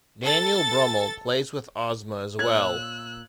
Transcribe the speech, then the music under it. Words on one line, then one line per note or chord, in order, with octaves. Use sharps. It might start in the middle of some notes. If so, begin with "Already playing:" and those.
Daniel Brummel plays with Ozma as well.
A4 A6
A#2 A#4 C#5 E6 F#6 G#6